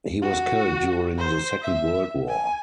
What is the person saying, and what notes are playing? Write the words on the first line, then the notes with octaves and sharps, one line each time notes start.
He was killed during the Second World War.
F#4
C5
E5
G#5